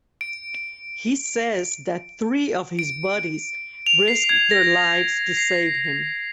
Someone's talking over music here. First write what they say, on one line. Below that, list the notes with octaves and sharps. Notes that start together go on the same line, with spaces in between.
He says that three of his buddies risked their lives to save him.
D7
D7
F7
C7
G#6
A#6
C7